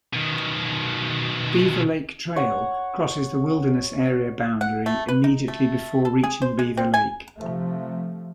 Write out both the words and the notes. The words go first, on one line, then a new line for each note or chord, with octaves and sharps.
Beaver Lake Trail crosses the wilderness area boundary immediately before reaching Beaver Lake.
B2 D#3
C#5 F#5
F#5
A3
B4
D#4
A3
A4
G#4
C5
G#3
C4
G#5
C3 F3 A3